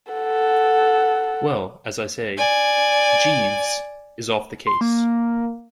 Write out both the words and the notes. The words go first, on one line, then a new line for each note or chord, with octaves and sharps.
Well, as I say, Jeeves is off the case.
A4 F#5
D5 G#5
C6
A#3